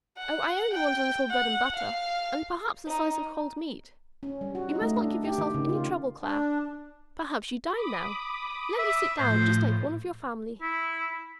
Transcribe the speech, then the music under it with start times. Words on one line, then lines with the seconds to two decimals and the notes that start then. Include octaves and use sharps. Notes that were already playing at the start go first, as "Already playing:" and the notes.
"Oh, I only want a little bread-and-butter, and perhaps a slice of cold meat--you must not give yourself any trouble, Clare--perhaps you dine now? let me sit down just like one of your family."
0.18 F#5
0.72 G5
1.30 F#5
1.75 F5
2.85 D#4
4.23 C#4
4.41 G3
4.55 F#4
4.69 D#4
4.82 A3
4.96 D4
5.24 G4
5.38 D#3
5.54 C#3
5.69 F4
6.23 D4
7.70 B5 D6 D#6
8.79 E5
9.18 A2 F3 C5
10.62 E4